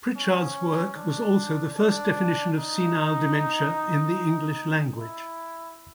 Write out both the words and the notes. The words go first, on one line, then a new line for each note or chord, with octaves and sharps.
Prichard's work was also the first definition of senile dementia in the English language.
C#4
D4
D4
D#4
E4